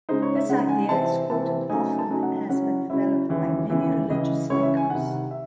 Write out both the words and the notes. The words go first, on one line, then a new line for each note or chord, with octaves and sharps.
This idea is quoted often and has been developed by many religious thinkers.
C#3 G#3 D#4 C5
C#5
E5
C#3 G#3 D#4 F#5
G#5
C3 E3 C4 A5
C3 E3 C4 A5
C#3 F#3 A3 D#4 G#5
A5
C#3 F#3 A3 D#4 G#5
F#5
F#5
C#3 F#3 C#4 E4 F#5
C#3 F#3 C#4 E4 E5
D#2 C#3 E3
D#2 C#3 E3
C#2 C#3 E3 D#5
C#2 C#3 E3 C#5
E5
G#5
C2 C3 D#3 F#5
E5